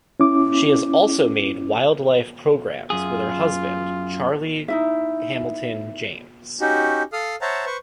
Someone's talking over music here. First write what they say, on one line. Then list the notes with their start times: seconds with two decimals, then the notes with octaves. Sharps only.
She has also made wildlife programmes with her husband, Charlie Hamilton James.
0.20 C#4 E4 D6
2.90 F#2 F4 G#4
4.68 D#4 E4 E5
6.61 C#4 D#4 F#4 G4
7.13 A4 F5 D#6 F6
7.41 C5 C#5 E5 F#5 A5 A#5
7.66 B4 C5 C#6